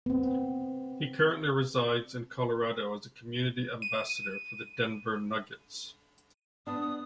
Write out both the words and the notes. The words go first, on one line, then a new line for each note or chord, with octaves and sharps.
He currently resides in Colorado as a community ambassador for the Denver Nuggets.
B3 C4
D#7
B3 D4 D#6